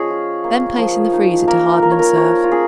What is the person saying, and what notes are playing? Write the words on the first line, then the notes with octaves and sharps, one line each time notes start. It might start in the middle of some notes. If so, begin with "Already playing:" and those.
Then place in the freezer to harden and serve.
Already playing: F3 C#4 G#4 C#5 D#5
F4
A#3
F3
D#4
A#3 A#4
A#3 A#4
C#5
A#4
F3 C#5
F4
C#4 G#4